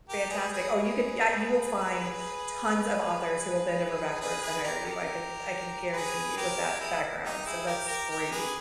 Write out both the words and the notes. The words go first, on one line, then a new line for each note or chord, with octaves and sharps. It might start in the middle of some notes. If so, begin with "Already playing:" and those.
fantastic. Oh, you could Yeah, you will find tons of authors who will bend over backwards to hire you, I can I can guarantee you, with that background, so that's great,
G4 A#4
G#4 B4
G#4 B4
G#4 B4
G#4 B4
G#4 B4
G4 A#4
G4 A#4
G#4 B4
G4 A#4
E4 G#4
D#4 G4
E4 G#4
G4 A#4
G4 A#4
G4 A#4
G#4 B4